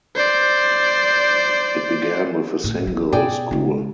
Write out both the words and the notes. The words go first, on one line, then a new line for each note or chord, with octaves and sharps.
It began with a single school.
C5 D5
A2
E4
B2 G#4 D5 G5
C#3 G#3